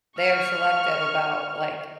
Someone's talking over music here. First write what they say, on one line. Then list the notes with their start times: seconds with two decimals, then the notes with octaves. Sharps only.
they are selective about, like,
0.18 C#6 F6